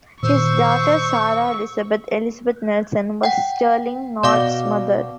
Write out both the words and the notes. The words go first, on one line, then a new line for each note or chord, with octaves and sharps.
His daughter, Sarah Elizabeth "Elizabeth" Nelson, was Sterling North's mother.
A#2 D#3 C5 C#6 E6
F#5 G5
B2 D5 F5 D6